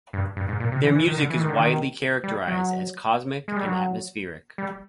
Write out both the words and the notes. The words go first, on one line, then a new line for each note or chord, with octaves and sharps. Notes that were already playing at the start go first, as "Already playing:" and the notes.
Their music is widely characterized as cosmic and atmospheric.
G2
G2
G#2
A#2
C3
E3
E3
D#3
D3
E3
D#3
D3
D#3
G3
F#3
G#3
G3
F#3
G3